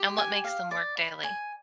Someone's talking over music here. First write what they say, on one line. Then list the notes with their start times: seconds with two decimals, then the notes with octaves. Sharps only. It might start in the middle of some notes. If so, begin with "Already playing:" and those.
and what makes them work daily?
Already playing: G4
0.18 G#5
0.44 F5
0.71 D5
0.97 B5
1.23 G#5